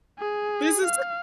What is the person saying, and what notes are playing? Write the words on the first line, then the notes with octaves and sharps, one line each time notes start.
This is
G#4
F5